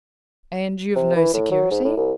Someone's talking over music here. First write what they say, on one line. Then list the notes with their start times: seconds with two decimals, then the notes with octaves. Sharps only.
"And you've no security?"
0.96 C3
1.16 E3
1.34 A2
1.51 F#3
1.71 G#2
1.84 A2
1.97 C2